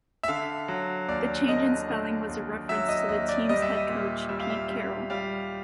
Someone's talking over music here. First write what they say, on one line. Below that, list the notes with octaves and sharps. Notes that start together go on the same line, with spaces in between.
The change in spelling was a reference to the team's head coach, Pete Carroll.
E5
D3 F5
F#3
D#2 D5
D3 D#5
D3 D#5
D#2
F#3 E5
D#5
D#2 D#5
D5
G3 D#5
E5
D#5
A#2
G3 E5
F5
E5
G3
G3 F5